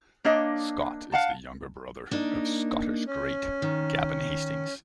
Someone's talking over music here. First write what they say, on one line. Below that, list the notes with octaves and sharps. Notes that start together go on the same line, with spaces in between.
Scott is the younger brother of Scottish great Gavin Hastings.
A#3 D4 C#5 D#5
F5 F#5 A5
A#3 D4 D#4
C#4
D#3